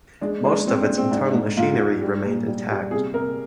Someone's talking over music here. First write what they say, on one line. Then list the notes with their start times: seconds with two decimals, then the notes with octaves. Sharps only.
Most of its internal machinery remained intact.
0.21 G#3 D4
0.45 G#3 D4
0.67 G#3 C4
0.81 D4
0.89 G#3
0.97 C4
1.11 G#2 D4
1.34 G#2
1.57 G#2 F4
1.79 G#3
2.01 G3
2.24 A#2
2.46 G3
2.70 G3
2.91 C3 G#4
3.14 C3 A#4